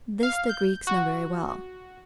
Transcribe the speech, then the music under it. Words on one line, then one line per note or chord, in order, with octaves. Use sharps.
This the Greeks knew very well.
F5
G6
F#4